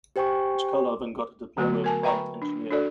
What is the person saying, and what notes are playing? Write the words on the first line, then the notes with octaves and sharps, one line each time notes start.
Chkalov and got a diploma of pilot-engineer.
G4 C5 G5 G#5 C#6
D3 F#3 A3 B3 F#4 C6
A#4 G#5 A5
B4 E5 G5 A#5 B5 C#6
D4
D4 F#4 A4 D5